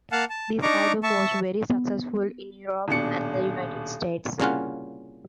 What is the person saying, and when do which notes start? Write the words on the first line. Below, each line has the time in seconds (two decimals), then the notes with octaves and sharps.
This album was very successful in Europe and the United States.
0.12 A#3 F5 F#5 A5
0.30 A5
0.62 D4 D#4 A#5 C#6 D6
1.03 E5 A5 C#6
1.70 B3
2.88 D#1 B2 D4 C#7
4.40 C2 A#2 C#3 C#4 F4 F#5